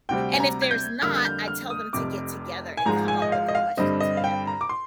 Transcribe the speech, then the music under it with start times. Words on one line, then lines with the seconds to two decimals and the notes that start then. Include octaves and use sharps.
and if there's not, I tell them to get together and come up with the question together,
0.09 D2 C3 G3 C4 G5
0.33 G#5
0.40 A#5
0.62 G#6
0.71 G6
1.02 F2 D3 G3 A#3 F6
1.25 G6
1.48 F6
1.70 D#6
1.93 F1 F2 C3 D6
2.77 G#5
2.85 G#1 G#2 F3 G#3 A#5
3.08 G#5
3.22 D#5
3.32 F5
3.48 D#5
3.55 F5
3.77 G2 D3 G3 C4 D#5
4.00 D#5
4.17 F5
4.24 G5
4.47 A#5
4.61 D6
4.69 C6